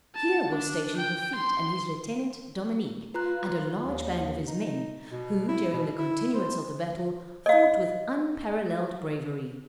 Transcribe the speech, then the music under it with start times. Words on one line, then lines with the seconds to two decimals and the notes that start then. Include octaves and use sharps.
Here was stationed Lafitte and his lieutenant Dominique and a large band of his men, who during the continuance of the battle, fought with unparalleled bravery.
0.15 A5
0.50 D4
0.97 G5
1.36 C6
3.14 F4 B4 A#5 F#6
3.85 D#2
4.47 D#4
5.12 B2
5.49 E4
5.73 B2
5.98 E4
6.35 C5
7.46 D#5 F5